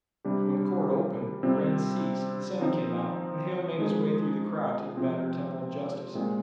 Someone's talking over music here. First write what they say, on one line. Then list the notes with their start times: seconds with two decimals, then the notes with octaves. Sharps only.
When court opened, the rain ceased, the sun came out and Hale made his way through the crowd to the battered temple of justice.
0.24 C3 G3 D4 G4
1.43 C3 G3 C4 F4
2.61 F3 C4 D#4
3.79 F3 G#3 D#4 G#4
4.97 C3 F3 C4
6.15 A#2 G#3 C4